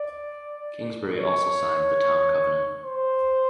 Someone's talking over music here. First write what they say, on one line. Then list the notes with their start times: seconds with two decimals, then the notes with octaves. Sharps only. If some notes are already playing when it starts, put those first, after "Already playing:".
Kingsbury also signed the Town Covenant.
Already playing: D5
1.17 C#5
2.82 C5